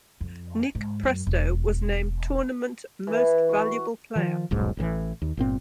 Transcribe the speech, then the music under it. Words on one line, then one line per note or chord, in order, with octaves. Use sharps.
Nick Presto was named Tournament Most Valuable Player.
F2
G#2
F#2
E1
E3
F#4
D#3 F3
D#1 B1 G#2
A1 A2 D#3 E3
D#2
G1 A#2 C4